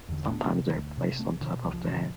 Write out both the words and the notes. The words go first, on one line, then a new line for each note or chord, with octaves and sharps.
Sometimes they're placed on top of the head.
E2 D3
D2 B3 D4
C3
D2
C3
C2 A3 C4
B2 D3 F3
C2 G3
F3
B2 E3
D3 F3